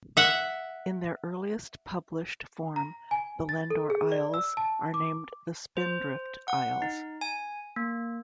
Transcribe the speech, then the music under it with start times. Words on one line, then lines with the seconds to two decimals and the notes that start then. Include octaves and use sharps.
In their earliest published form the Lendore Isles are named the Spindrift Isles.
0.17 E5 F#5
2.76 A#5
3.11 G#5
3.49 A6
3.70 A4
3.90 G#4
4.12 D5
4.34 E6
4.57 A5
4.94 D6
5.77 C5
6.48 F#5
6.82 D#4
7.21 G#5
7.76 A#3